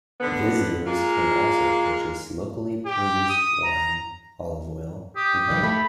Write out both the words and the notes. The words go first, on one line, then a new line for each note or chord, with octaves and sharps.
Visitors can also purchase locally produced wine, olive oil and honey.
D3 B3
G#3 A#3 F4
G4
D#6
A#5
G4 D#6
D#3 F3 G3
A3 B5